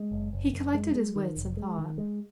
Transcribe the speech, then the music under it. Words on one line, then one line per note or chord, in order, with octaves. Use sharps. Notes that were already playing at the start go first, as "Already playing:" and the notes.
He collected his wits and thought.
Already playing: G#3
F#1
F#1
F#1
G#3
G#3
D#3
F1
G#3
D#3
G#3